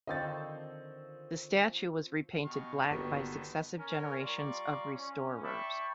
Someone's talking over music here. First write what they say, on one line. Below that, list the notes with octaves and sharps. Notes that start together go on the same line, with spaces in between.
The statue was repainted black by successive generations of restorers.
D3 D#3 F3 C4 D#5 G5 C#6 A6
B2 G4 F5 C#6
G1 B2 D3 D#3 G3 A#3 B3
C#4 A#4
G3 F4 D5 A#5 C6 C#6
C#4
D5 E5 G5 A5 B5 C#6